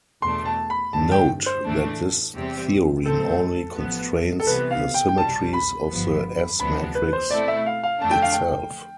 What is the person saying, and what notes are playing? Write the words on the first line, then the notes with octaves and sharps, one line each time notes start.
Note that this theorem only constrains the symmetries of the S-matrix itself.
E2 B2 A3 D4 C6
A5
B5
G2 D3 A3 A5
G5
C5
A2 E3 A3 D4
E2 C3 G3 C4 G4
A2 F3 C4 A4
A1 A2 F3 B3
A4
C2 C3 E3 B3 B4
F5
G5
G5
C2 B2 G3 A5
B5
G1 G2 F3 B3
D2 C3 F3 B3 D4 B5
B4
C5
B2 A3 C4 E4 A4 D5
E5
F5
F5
F2 D3 A3 D4 A5
G5
F5
G5